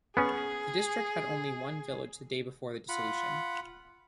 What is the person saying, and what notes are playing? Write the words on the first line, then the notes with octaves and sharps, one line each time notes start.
The district had only one village the day before the dissolution.
B3 C#4 G#4
F4 F#5 B5